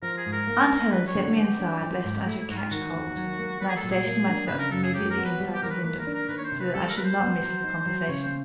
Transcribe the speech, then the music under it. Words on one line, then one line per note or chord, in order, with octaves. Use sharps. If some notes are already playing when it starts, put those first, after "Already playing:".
Aunt Helen sent me inside lest I should catch cold, and I stationed myself immediately inside the window so that I should not miss the conversation.
F3 A#4
G#4
G#2
A#4
A#3
D4
G3 B4
C#5
D3
C#5
B3 G4
D4
F3
G#2
A3 E4
E4
G#2 F#4
F4
D#3 F#4
D#2
F#3
A#3
F#3 B4
G#4
A4
A#2
G#4
A#3
D4
C#3 B4
A#4
F#2 A4
G#4
F#3 G4
A#4
B3
B4
G3
G4
D#3 A#4
B4
A#3 B4
A#4
D4
A#4
D#3 B4
C#5
C5
C3
B4
G3 A4
A#4
A#3 B4
C5
B3
F#3
D#4
F#3
C#3 C#5
C5